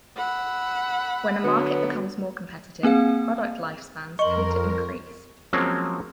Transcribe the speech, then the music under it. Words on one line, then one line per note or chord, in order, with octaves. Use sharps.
When a market becomes more competitive, product lifespans tend to increase.
F#5 B5 E6
D3 F#3 B3
A#3 C4 G#4 F5
F2 A#4 D#5 C6 C#6
F3 F#3 G#3 A#3 C4 C#4